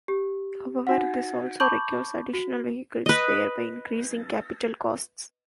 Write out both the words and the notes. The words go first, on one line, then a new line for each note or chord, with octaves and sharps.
However, this also requires additional vehicles, thereby increasing capital costs.
G4
D#4 F#4 F#5
A5 B5 C#6 D6 G6 F#7
F#4
B4 D#5